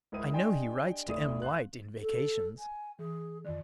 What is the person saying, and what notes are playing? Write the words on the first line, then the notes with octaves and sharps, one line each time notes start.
I know he writes to Em White in vacations.
C#2 E4 A#4 C5 D#6 D#7
D4 G4 D#5 G5 G#5 C6
F1 D2 E4 D5 D#6 D#7
F5 C6 F#6
A4
G#5
E3 G#4
F2 D#3 D5